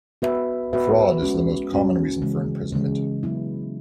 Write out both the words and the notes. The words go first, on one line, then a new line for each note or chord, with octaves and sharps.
Fraud is the most common reason for imprisonment.
B3 F#4 B4 E5
B3 F#4 B4 E5
G#3 C#4 F#4
G#3 C#4 F#4
C#3 E3 G#3
C#3 E3 G#3
F#3 B3 E4